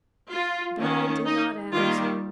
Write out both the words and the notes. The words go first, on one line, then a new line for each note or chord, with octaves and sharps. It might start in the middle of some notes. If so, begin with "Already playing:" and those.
'But I did not ask.
F4
D#3 A#3 C#4
D#4
D#3 G3 A#3 F4